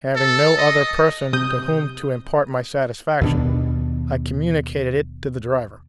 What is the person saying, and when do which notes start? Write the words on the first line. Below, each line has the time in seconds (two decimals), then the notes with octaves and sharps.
Having no other person to whom to impart my satisfaction, I communicated it to the driver.
0.16 A4
0.58 D#5
1.33 C3 D#6 G6
3.21 D#2 B2 D4